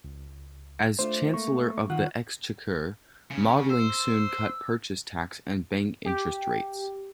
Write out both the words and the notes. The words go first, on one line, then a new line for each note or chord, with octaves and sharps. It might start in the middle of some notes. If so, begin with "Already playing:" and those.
As Chancellor of the Exchequer, Maudling soon cut purchase tax and bank interest rates.
C#2
A3 D4 F4 C5
A3 A#3 C#6
D#3 F4 F#5
C#3
C5 E6
G4